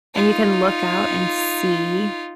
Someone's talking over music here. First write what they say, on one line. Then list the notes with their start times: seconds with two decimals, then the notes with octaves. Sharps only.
and you can look out and see-
0.15 D#4 F4